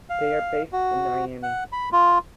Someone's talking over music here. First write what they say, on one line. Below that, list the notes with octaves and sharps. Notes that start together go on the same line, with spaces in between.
They are based in Niamey.
F5
F#4
F#5
B5
F4